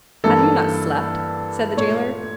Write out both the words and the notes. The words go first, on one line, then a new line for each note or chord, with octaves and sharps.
"Have you not slept?" said the jailer.
G2 E3 A#3 A4
A#2 A3 C#5